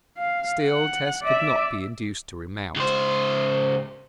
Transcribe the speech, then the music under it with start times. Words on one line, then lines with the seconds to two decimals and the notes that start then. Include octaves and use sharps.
Still Tess could not be induced to remount.
0.17 F5
0.63 F#5
1.23 D5 E5
2.76 C#2 C5